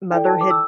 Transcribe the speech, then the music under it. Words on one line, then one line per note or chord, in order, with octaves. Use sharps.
mother had
E4 A4 D5 G5
A5
D6
E6